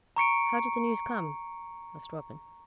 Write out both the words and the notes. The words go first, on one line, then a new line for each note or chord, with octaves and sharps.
"How did the news come?" asked Robin.
A#5 C#6 C#7 D7